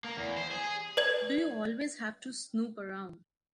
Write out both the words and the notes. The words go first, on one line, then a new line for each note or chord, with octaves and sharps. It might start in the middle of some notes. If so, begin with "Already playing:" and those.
Do you always have to snoop around?
A#3
E2
C5
G#4
G#4
B4 D5 G#6